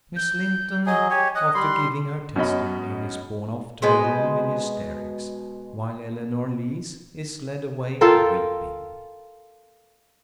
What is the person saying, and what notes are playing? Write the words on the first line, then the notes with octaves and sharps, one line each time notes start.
Miss Linton, after giving her testimony, is borne off to her room in hysterics; while Eleanor Lees is led away weeping.
G6
F#3 G#4 D#5
G4 C#5 G#5
D#5 F#6
G3 B5 C6
F#2 B2 C#4 D#5 B5
B2 G#3 B4 C5
F4 A4 A#4 G5